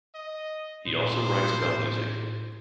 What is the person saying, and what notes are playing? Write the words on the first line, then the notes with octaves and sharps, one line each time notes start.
He also writes about music.
D#5
A#2 C5
A2